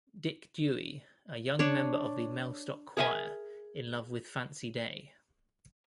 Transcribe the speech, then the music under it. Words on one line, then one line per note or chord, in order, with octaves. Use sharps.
Dick Dewy, a young member of the Mellstock Choir, in love with Fancy Day.
D4 C#5
G#4 A#4 E5 F#5 G#5